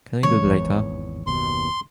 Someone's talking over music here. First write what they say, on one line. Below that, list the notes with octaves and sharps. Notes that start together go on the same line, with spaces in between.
Can we do it later?
C#3 E3 G#3 C#5
G#1 E2
F#1 D#2 B2 C6